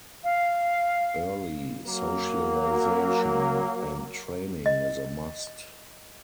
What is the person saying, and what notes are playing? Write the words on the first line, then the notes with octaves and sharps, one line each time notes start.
Early socialisation and training is a must.
F5
F#3 A#3
D#5